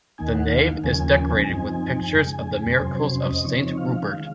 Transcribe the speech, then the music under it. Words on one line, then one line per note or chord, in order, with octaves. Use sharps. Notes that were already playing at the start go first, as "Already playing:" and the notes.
The nave is decorated with pictures of the miracles of Saint Rupert.
D#2 D#3 A#3 D#4 G#5
F#5
F5
D#2 C#3 F3 A#3 C#4 G#5
G#5
F#2 F3 C4 D#4
F2 C#3 G#3
F2 C3 F#3 C#4 C5
C5
C5
D#5
C#3 F3 C4 D#4 C#5
F5
D#3 G#3